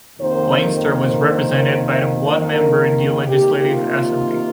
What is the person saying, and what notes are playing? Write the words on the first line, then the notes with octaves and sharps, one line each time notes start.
Leinster was represented by one member in the Legislative Assembly.
F2 C3 D#3 A#3 C5
C5
A#4
C3 D#3 A#3 G4
F4